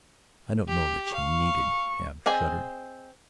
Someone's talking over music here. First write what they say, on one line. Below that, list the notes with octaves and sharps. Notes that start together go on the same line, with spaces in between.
I don't know that she need have shuddered.
G4
F5 C#6
C4 G#4 D#5 G#5